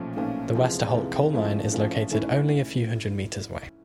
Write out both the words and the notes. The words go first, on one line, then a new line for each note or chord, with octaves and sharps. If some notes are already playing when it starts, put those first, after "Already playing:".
The Westerholt coal mine is located only a few hundred metres away.
Already playing: B1 A#2 F3 A3 C#4
B1 A#2 F3 A3 C#4
E2 C3 F3 G#3
E2 C3 F3 G#3
A2 F3 A3 C#4
A2 F3 A3 C#4
G#2 E3 A3 C#4 E4